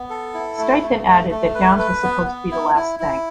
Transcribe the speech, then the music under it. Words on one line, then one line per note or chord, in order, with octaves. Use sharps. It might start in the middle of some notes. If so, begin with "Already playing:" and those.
Stipe then added that Downs was supposed to be the last thanked.
Already playing: B3
A4
E4
A3
A3
A3
A3
B4
B4
B3
B3
E4
E4
E4